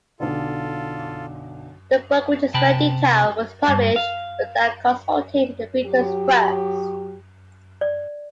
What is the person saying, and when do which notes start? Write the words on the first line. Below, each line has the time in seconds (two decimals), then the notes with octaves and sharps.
The book, which is very detailed, was published without consulting the victims first.
0.20 B1 D3 F4 A4
2.54 C3 G5 A5 B5
3.68 G2
3.96 F5
5.85 F#3 G4
7.81 D5